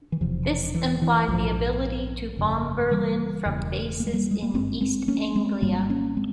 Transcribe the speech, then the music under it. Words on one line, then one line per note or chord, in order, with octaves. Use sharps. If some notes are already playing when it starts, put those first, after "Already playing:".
This implied the ability to bomb Berlin from bases in East Anglia.
E3
E1 E2 C3 F3
E3
E3
A#1 G#2 F3
G1 F2 C#3
E3 G3
E1 E2 C#3
A#3
G#3
G3 A#3
G#3
A#3
G#1 G2 G#3 C4
G#3 C4
A#3 C#4
G#3 C4
G#1 G#2 G3 A#3
A#3 C#4
G#3 C4